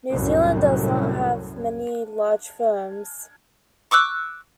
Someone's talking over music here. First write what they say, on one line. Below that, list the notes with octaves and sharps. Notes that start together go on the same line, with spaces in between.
New Zealand does not have many large firms.
C2 F#2 A2
C#6 D6 E6 F#6